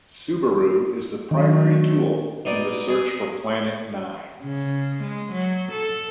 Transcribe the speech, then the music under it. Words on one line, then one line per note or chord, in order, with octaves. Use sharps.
Subaru is the primary tool in the search for Planet Nine.
D#3 F#3 A3 D4
B2 D#4 D5
G#4
C#3
G#3
F#3
A4